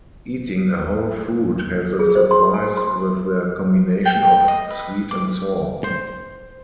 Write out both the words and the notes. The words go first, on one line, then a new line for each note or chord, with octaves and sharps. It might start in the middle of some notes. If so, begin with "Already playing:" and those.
Eating a whole fruit has a surprise with the combination of sweet and sour.
G#4
C5
C6
G#5
C6
G5
D#5
B4
D6
C5